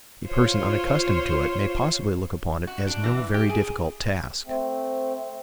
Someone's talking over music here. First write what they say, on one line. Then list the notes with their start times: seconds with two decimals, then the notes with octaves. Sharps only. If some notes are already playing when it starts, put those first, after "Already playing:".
A person unaccustomed to it may possibly look upon it as no very difficult task.
0.25 F4 C5 C#5
2.67 F#4
2.87 D4
3.04 E3
3.34 G4
3.49 G#4
4.46 A3 C4